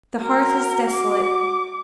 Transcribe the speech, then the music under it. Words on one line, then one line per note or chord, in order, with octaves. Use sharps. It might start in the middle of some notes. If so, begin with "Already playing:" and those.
The hearth is desolate.
F#4 A#4
D6